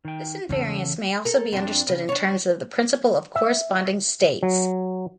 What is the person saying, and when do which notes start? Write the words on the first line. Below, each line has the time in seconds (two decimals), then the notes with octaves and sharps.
This invariance may also be understood in terms of the principle of corresponding states.
0.05 D#3 G5
0.49 E2 C#3 E3 A4
1.25 A4 A#4
1.52 F2 D4
1.88 C#3
2.09 D4 C#5
3.35 E5
4.43 F#3